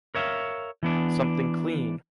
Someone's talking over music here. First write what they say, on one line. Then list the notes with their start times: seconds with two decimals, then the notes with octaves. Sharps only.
Something clean!
0.15 A#4 C#5 E5 F5
0.83 E3 B3 D4